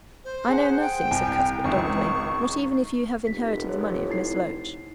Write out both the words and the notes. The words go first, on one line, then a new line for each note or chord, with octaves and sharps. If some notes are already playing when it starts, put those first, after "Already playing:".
"I know nothing," said Cuthbert doggedly, "not even if you have inherited the money of Miss Loach."
C5
G#4 F#5
G5
C2 G#5
G#1 C#2 C#6
F1 B6
C#5
D#4 E4 C7